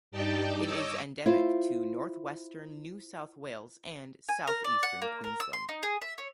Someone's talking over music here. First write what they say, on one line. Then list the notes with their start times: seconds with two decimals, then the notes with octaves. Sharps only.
It is endemic to north western New South Wales and south eastern Queensland.
0.11 G2 D#4 G4 D5 G5 A5
0.61 C#5 D#5 D6 E6
1.26 E4 F4 C5
4.29 G#5
4.47 A#4
4.64 D5
4.83 F#5
5.02 A#3
5.24 A#4
5.40 E6
5.53 C6
5.69 D#4
5.83 G#4
6.02 E5
6.18 C#5